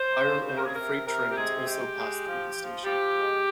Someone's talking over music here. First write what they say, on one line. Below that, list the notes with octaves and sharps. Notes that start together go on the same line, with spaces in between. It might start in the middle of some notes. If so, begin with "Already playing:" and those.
Iron ore freight trains also passed through the station.
Already playing: C5
C#3
C3 C5
A#4
G#4
C3 A#4
C3 A#4
G4
G#3 G#4
G#3 G4
G#3
F3
F3
F3 G4
G#3